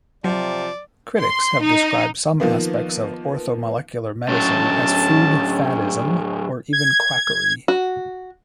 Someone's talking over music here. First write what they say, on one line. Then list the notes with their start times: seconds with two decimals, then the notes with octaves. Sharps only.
Critics have described some aspects of orthomolecular medicine as food faddism or even quackery.
0.24 C3 F3 F#3 D5
1.18 C6
1.61 D#4
2.40 D#3 F3 A#3 B3
4.29 A2 F#3 C#4 A5
6.73 G#6
7.68 F#4